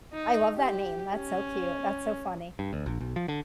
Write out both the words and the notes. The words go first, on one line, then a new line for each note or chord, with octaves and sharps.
I love that name, that's so cute, that's so funny.
D#4
G4
C#4
G2
D2
A#1
B1
F3
D3